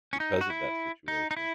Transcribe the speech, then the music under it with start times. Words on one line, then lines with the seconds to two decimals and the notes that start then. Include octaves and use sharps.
because of that situation.
0.13 C#4
0.20 D#4
0.41 F#4
0.50 E4
1.08 D#4
1.31 D#4
1.37 E4